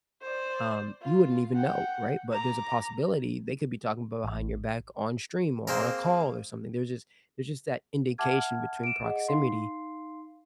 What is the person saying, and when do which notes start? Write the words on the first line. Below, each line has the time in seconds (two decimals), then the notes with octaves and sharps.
um, you wouldn't even know, right? But there's a possibility they could be talking b behind your back on stream, or on a call or something. There's just there's just that indication between proximity
0.22 C5 D5
1.01 F4
1.55 F#5 G5
2.32 A#5 D6
4.24 A1
5.68 A#3 C4 G#4 A#4
8.18 E5 F#5 A5 D6 F6 G#6
8.84 D7 E7
9.04 G#4 D#5 F#5
9.28 D#4 F5 C6 C7